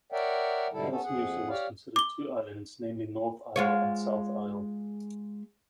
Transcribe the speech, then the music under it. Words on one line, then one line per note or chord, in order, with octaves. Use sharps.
Thus Mousa was considered two islands, namely North Isle and South Isle.
A#4 C#5 D5 E5 F#5 G5
G#2 B2 D3 G3 E4 A4
B3 C#4 A4
F2 G#4 F#5
G4 C#5 D5 F5
D6 G7
G#3 F4 C#5